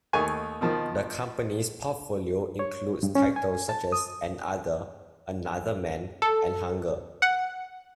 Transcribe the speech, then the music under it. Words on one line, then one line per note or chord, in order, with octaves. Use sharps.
The company's portfolio includes titles such as AnOther, Another Man and Hunger.
D#2 A3 D#4 G#5 C#6
B2 D#3 F3
C#5
G2
C#4
G#5
A5
D#6
A4
F#5